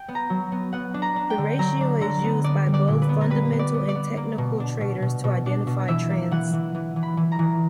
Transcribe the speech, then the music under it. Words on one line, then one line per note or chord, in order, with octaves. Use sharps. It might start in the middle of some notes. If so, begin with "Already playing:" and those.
The ratio is used by both fundamental and technical traders to identify trends.
Already playing: G5
B3
A#5
F#3
B3
B3 F#5
D4
A#5
D4
G5
D3
F#3 A#5
D4
D3 A#5
B3
B3 D5
G3
D5
A#2
B4
B3
A#4
G3 B4
B3
D5
B3
D5
B3
A#3
B2
D4
B2
B2
B2
D4
B2
E3 E5
A#3
E3 F#5
E3
E3
E3
B5
E3
A#5
E3